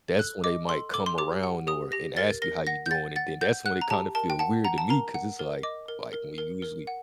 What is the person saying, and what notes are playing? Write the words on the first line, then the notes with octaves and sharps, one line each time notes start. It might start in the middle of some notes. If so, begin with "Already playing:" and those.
that's when they might come around, or and ask you, "How you doing?" and then that's when it kinda feel weird to me 'cause it's like like, when usually
A4 F#6
D#5 D6
A4 C6
A4 D6
C6
G4 D6
F#5
G4 D#6
G4 A#6
A#4 A6
A#4 A#6
F#5 A#6
G6
F#5 A6
F#5 A6
F#5 G6
F#5 F#6
A#5
G4 A5
A#4 A5
G5
F#5 A5
F#5 A#5
A5
A#4 A#5
F#5
A#4
D#5 D6
A#4
A#4
A#4
A#4
F#5